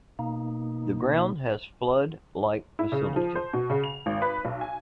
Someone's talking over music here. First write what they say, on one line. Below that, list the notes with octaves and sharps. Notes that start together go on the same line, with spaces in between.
The ground has flood light facility.
B2 A#3 D#4
E4
C#3
F3
C5
B2
C#3
F7
G#1
B4
B1
G#5